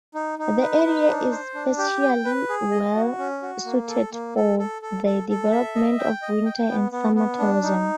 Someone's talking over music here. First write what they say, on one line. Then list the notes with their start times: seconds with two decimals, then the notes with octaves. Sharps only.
The area is especially well suited for the development of winter and summer tourism.
0.15 D#4
0.39 D#4
0.61 B4
0.85 D#4
1.09 D4
1.31 C5
1.55 D4
1.78 G4
2.01 G5
2.25 B4
2.49 G#4
2.71 D#5
2.95 F#4
3.18 C#4
3.42 F#4
3.65 A#3
3.88 A4
4.12 A#3
4.36 A4
4.59 A4
4.82 A4
5.06 A4
5.29 A4
5.52 E5
5.75 D#5
5.99 G5
6.22 D#5
6.46 G5
6.69 B3
6.92 B3
7.15 B3
7.39 D4
7.63 D#4